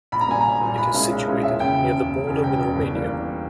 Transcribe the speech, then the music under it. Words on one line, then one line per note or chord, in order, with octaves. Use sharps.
It is situated near the border with Romania.
A#1 B5
A#5
A#2 G3 G#5
A#1 A#5
A#2 G3
B1 B5
A#2 G#3 C#4 E4
B1
A#2 G#3 C#4 E4
E1 E5
D#2 C#3 G5
E1
D#2 C#3
E1
E2 C#3
E1 G5
E2 C#3
G1
E3 G3 A#3